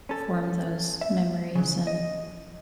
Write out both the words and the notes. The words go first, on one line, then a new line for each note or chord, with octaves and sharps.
form those memories, and
C#4 A4
E5
C#3 E3
D#5